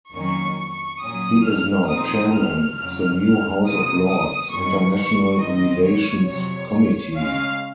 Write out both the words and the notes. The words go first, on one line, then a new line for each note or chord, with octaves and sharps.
He is now Chairman of the new House of Lords International relations Committee'.
F2 D#3 F#3 A#3 C#4 C#6
A#2 F#3 C#4 D#6
F6
A#2 F3 C4 D#4 D#6
F6
F2 C#3 F#3 F6
C3 F#3 A#3 D#6
D#6
F#2 D#3 F#3 C#4 C#6
C#6
F#2 D#3 F#3 C4 D#5
C#5
F2 C3 F#3 C#5
C#3 G#3 C#4 F5